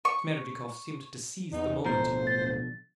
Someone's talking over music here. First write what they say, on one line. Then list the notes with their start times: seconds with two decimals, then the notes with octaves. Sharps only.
Smerdyakov seemed to seize the moment.
0.05 C#6
1.52 E2 D#4
1.85 D1 B2 D3 F3 C5 A#5
2.27 A6